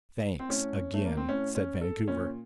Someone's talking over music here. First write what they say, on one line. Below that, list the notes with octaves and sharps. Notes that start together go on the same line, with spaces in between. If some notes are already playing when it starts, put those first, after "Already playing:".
"Thanks, again," said Vancouver.
C4
A2 C#4
A3
A#3
C4
A2 C#4
C#4
A4
A#2 C#4